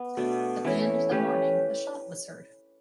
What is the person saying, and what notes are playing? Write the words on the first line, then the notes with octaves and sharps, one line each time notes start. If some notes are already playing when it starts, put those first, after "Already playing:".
At the end of the morning, a shot was heard.
Already playing: B3
B2 A3 D4
E3 A3 C#4 E4
A3 C#4 G4 B4